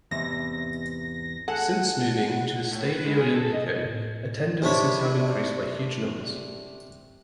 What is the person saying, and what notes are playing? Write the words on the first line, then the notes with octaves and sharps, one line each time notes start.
Since moving to the Stadio Olimpico attendances have increased by huge numbers.
E2 G#2 C3 A#6
G#4 A4 F#5
A2
B4
G#3
G#4
A4
D#5
A2
C3 D4 C#5 B5